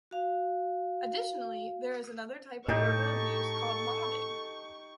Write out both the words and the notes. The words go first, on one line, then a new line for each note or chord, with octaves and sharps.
Additionally, there is another type of verbal abuse called mobbing.
F#4 F5
A2 D#4 G4 A4 A5 C#6